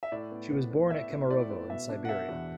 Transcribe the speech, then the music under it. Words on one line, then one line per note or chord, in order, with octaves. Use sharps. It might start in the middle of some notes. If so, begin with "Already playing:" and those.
She was born at Kemerovo, in Siberia.
E5
A2 D5
B3
B3
B3
A2 E5
B3
A2 D5
B3
B2 E5
D4
F#5
B2 E5
E2